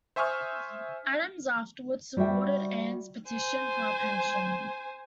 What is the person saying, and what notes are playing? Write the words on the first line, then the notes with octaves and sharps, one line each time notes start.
Adams afterward supported Anne's petition for a pension.
C5 E5 G#5 C#6 D#6 F6
G3 F#4 C5 E5 G5
C5 G#5